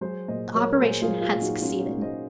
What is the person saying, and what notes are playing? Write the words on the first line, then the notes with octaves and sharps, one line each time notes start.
The operation had succeeded.
F#3 G#4 C5
A#2 C5 D#5
F#3 A#4 C#5
A#4
A#2 G#4 C5
F4 G#4
F#3
F4 G#4
A#2
D#4 F#4
F#3 C#4 F4
D#4 F#4
A#2
C5 D#5